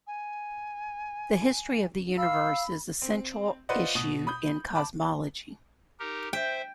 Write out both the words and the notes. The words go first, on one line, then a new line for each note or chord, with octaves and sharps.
The history of the universe is a central issue in cosmology.
G#5
F5 B5 E6
C4
F4 B4 C5 D5 D#5 F#5
B2 D#6
B5 D#6 G6
A5 B5 D6
D#4 G4 A#4
C5 E5 G5